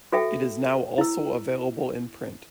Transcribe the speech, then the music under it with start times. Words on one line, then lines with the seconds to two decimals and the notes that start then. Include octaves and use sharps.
It is now also available in print.
0.12 F#4 A4 E5 G5
0.98 E4 E6